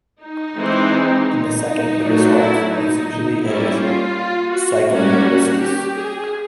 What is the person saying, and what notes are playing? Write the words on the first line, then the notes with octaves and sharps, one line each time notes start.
In the second the result is usually a psychoneurosis.
D#4
E3 G#3 C4
D#4
F#3 A3 D4
E4
D#4
G3 A#3 C#4 E4
F4
F#4
G3 A#3 C#4 F#4
G4
G#4